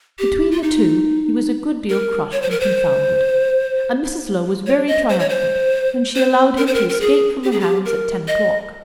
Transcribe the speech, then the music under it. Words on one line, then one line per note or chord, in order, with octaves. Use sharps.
Between the two he was a good deal crushed and confounded, and Mrs. Low was very triumphant when she allowed him to escape from her hands at ten o'clock.
G4
F4
D#4
A#4
C#5
C5
A#4
C5
C#5
D#5
C5
C#5
C5
C5
A#4
C5
A#4
A#4
G#4
G4
G#4
G4
A#4
D#5